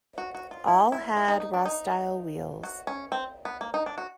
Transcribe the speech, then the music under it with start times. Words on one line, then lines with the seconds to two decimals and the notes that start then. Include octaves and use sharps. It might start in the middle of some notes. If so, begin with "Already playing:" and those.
All had "Rostyle" wheels.
0.18 F#4
0.35 F#4
0.51 F4
0.68 E4
0.92 E4
1.17 E4
1.28 D#4
1.40 D#4
1.53 D4
1.65 D#4
2.63 F#4
2.87 C#4
3.12 C4
3.45 B3
3.61 A#3
3.74 D#4
3.86 D4
3.98 F#4